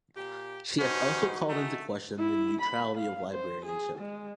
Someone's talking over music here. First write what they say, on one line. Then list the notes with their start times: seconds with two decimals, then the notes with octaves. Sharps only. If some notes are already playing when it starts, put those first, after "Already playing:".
She has also called into question the neutrality of librarianship.
0.16 A#2 G4
0.79 G2 C#4 D#4 F#4 C5
1.49 G#3 A3 D#4 F#4
2.19 E4
2.61 B5
2.97 F5
3.31 C5
3.65 G#4
3.98 G#3